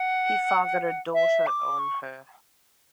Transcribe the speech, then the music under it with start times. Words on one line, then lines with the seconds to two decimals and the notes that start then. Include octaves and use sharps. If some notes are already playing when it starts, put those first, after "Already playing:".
He fathered a daughter on her.
Already playing: F#5
1.14 E5
1.46 D6
1.79 C#6